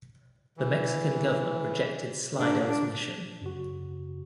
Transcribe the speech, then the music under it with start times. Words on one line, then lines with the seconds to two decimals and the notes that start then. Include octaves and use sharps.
The Mexican government rejected Slidell's mission.
0.57 E3
2.38 G#2 A#3 D4
2.68 D4
3.41 F#2 C#3 F#4